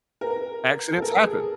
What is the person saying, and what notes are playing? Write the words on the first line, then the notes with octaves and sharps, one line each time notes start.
Accidents happen.
A#4
A4
A#4
G#4